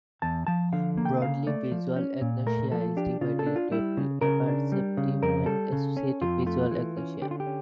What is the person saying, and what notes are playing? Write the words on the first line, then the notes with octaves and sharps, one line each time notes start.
Broadly, visual agnosia is divided into apperceptive and associative visual agnosia.
E2 A5
F3 A5
D3 F5
A#3
G5
C#3 F5
A3 D5
F3
C#4
A#2
A3 A#4
F3 A4
D4 G4
C#3 F4
A4
D4
F4
G3 E4
C#3
C#3 A#4
D4
G3
C#3
F2 A#4
G3 A4
C#3
C#4
F2 F4
A3 F4
E3
C#4
D3 G4
F4
G4
C#4